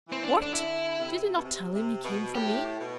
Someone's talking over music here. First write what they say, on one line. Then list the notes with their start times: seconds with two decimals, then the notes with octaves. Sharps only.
"What! did he not tell him he came from me?"
0.09 E3 C4
0.23 E3 D4
0.30 D3
0.42 D4
0.53 D3 E4
0.99 C3
1.36 B2
1.44 C3
1.74 C3
2.04 B2
2.35 A2 G4
2.80 B2